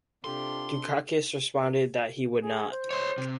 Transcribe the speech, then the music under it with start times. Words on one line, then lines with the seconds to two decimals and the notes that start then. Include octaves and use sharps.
Dukakis responded that he would not.
0.24 C3 D4 F4 G4 A4 C6
2.43 G#4
2.71 C5
2.91 C#5 C6
3.18 C3